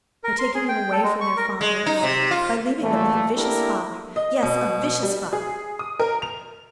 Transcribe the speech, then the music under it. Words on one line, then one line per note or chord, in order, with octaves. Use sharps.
By taking them away from their father, or by leaving them with a vicious father--yes, a vicious father....
A#4
C6
G#4
G5
A4
G#3
C#6
A#4
G#3
D#4
C3
F4
A1 A#2 E3 A3
A#3 D4 E4 G4 A4 A#4
D#5
B2
G3
G#4
D#6
A#4
F7